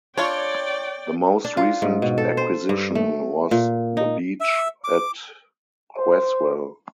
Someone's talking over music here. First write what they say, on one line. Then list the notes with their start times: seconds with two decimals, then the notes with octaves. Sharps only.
The most recent acquisition was the beach at Cresswell.
0.17 D4 F4 C#5 D5 G5
1.45 D4
1.57 F4
1.82 G#2
2.02 B2
2.18 A4
2.37 C5
2.69 G2
2.95 A3
3.51 A#2
3.97 D#4
4.40 E5
4.84 D6
5.97 C5